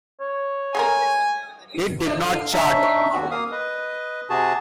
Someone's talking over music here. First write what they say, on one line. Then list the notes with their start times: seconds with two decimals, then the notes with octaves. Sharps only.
It did not chart.
0.20 C#5
0.75 G#3 A3 A#4 G#5
2.22 D3 F5
2.53 D4 D#4 E5
3.14 D#2 F#4
3.31 A#3 F5 D#6
3.52 B4 D#5
4.30 C3 F#4 G#4 A5